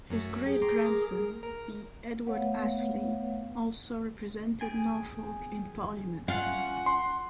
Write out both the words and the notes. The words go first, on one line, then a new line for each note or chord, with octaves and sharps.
His great-grandson, the Edward Astley, also represented Norfolk in Parliament.
F#2 F#3 A3
G4 G#4
A#5 C6 D6
A#4
A#4
A3 B3 B4 C#5 F5 F#5
G#4 G5 G#5
C#4 F4 F#5
C6